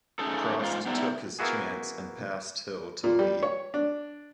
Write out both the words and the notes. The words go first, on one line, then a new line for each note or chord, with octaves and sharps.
Prost took his chance and passed Hill to lead.
A3 C#4 D#4 G#4 A4
G#2 F4
B3 D#4 E4 G4 D5 E5
A#3 B3 E4 F#4 G#4
A#2
G3
C#5
D4